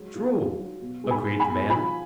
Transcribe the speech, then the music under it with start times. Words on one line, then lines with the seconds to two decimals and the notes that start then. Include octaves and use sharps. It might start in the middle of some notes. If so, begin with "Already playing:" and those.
"True," agreed the man.
Already playing: F#3 G#3
0.15 A#2
0.37 F#3
0.59 F#3
0.82 B2
1.04 G#3
1.11 G#5 B5
1.25 G#3
1.40 G#5 B5
1.48 B2
1.70 F3 G#5 B5